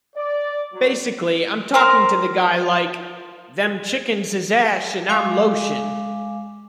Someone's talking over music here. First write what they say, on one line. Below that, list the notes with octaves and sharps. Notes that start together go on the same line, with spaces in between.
Basically I'm talking to the guy like, 'Them chickens is ash and I'm lotion.
D5
F#3
A#4 C5
G#3 F5 G#5 D6